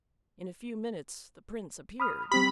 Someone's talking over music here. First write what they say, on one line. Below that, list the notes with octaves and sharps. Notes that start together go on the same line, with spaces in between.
In a few minutes the prince appeared.
B5 D#6 F6
G3 C4 G4 B5